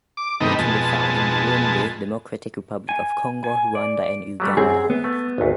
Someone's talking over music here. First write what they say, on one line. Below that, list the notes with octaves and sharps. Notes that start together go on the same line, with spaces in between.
It can be found in Burundi, Democratic Republic of Congo, Ruanda and Uganda.
D6
G2 C3 D#3 A3 B3 D#4
F2 B2 G#3 A5
G#5
G#5
D5
F#3 G3 A3
F#2 C4 G#4
B3
A3
G#1 D2